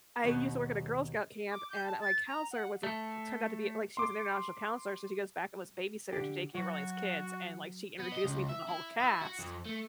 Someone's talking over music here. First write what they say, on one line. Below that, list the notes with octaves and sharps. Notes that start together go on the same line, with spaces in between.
I used to work at a Girl Scout camp, and my counselor was a turned out to be, like she was an international counselor, so she goes back and was babysitter to J.K. Rowling's kids, and, like, she introduced me to the whole cast,
D#2 B2
D6
G6
A5
A6
A#5
F#5
A3
C6 D6
D3 G4
F#3 F#4
B3
D#5
C#2
E5
E4
E4
F#4
F2
A3